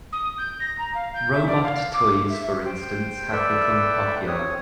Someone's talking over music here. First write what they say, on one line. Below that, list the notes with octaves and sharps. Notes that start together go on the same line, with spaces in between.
Robot toys for instance have become popular.
D#6
G6
A#6
A#5
F5
G6
E5
D5
F5
D6
E5
C5 G5
A4 B4 D5 E5 G5 E6
C4 C#5 D#6